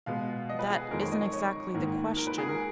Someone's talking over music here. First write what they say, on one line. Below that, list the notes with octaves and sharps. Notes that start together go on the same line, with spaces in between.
'That isn't exactly the question.
B2 G#3 B3 F5
D#5
B4
G#4
F2 D#3 G#3 A#4
C#5
D#5
C#5
C#5
G#2 D#3 A#3
A#4
B4
G#4
A#4